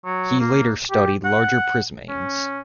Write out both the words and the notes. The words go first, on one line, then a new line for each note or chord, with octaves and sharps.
He later studied larger prismanes.
F#3
A#3
G4
F#5
C#4